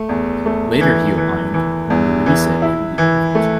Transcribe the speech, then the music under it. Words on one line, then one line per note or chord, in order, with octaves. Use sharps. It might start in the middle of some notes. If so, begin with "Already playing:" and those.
Later he opined, when we release it, it will be perfect.
Already playing: A3
E2
A3
E3
E3
E3
E2
E3
E4
E3
A3